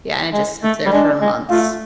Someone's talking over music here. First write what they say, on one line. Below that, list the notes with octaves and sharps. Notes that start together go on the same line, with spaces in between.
Yeah, and it just sits there for months.
G#3
A3
G3
G#3 D4
G#3
A3 F4